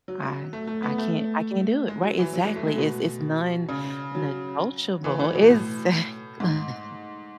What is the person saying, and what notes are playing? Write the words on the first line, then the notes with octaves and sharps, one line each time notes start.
I I can't I can't do it, right? Exactly, it's it's non-negotiable, exactly.
F#3
A3
A3
B3
A3
G#3
F#3
E3
F#3
G#3
A3
G#3
B2
C#3
F#3
E3
E3
B2
A2
G#2